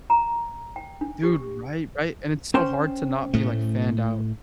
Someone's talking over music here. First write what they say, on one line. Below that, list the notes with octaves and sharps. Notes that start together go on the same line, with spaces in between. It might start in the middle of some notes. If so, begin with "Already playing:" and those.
Dude, right, right, and it's so hard to not be, like, fanned out.
A#5
G5
D4
G4
C#4 C5 G5
A2 A3